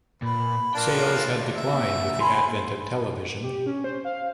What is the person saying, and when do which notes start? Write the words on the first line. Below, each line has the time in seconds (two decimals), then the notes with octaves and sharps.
Sales had declined with the advent of television.
0.22 A#2 B4
0.74 F3 A#3 D4 G5
0.96 F#4 C5
1.54 E5
1.69 A#3 F#4
2.21 G#5 B5 C6
3.43 G4
3.66 C#4
3.84 C5
4.05 F5